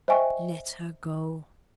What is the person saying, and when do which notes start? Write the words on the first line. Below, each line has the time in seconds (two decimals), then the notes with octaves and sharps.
Let her go!'
0.08 C5 D#5 E5 G5 G#5 C#6